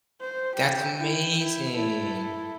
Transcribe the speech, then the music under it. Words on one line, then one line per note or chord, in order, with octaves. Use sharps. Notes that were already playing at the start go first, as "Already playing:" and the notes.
That's amazing.
C5
G4
E4 G5
E4
E4 A4